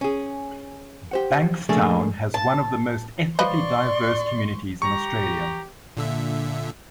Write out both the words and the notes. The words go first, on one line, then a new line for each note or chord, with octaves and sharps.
Bankstown has one of the most ethnically diverse communities in Australia.
C#4 G#4
G4 C5 F#5
F3 A3 A#3 D4 G#4 A4
A5
F3 B4 D5 D#5 C6 C#6
G4 A#5 C#6
A#2 D3 E5